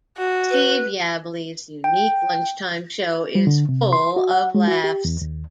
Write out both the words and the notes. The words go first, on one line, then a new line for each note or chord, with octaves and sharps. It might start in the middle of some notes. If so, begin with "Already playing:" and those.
Steve Yabsley's unique lunchtime show is full of laughs.
F#4
B4
G5
G3
D3
C3
C6
F#4
F#5
G#3
F#4
G4
E2
D#2